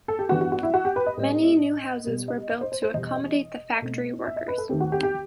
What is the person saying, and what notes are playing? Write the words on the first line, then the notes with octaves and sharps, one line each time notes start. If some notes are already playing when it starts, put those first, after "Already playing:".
Many new houses were built to accommodate the factory workers.
A4
G4
G2 E3 B3 F#4
F#4
F#4
E4
F#4
G4
B4
D#5
A2 G3 C4
B2 G3 B3
D#5
D#5
C5
C5
C5
E2 B2 G3 D#5
D#5
B2 A3 C4
E5
D#5
B4
A4
D#2 D#3 A3 C4 G4
F#4
G4
G4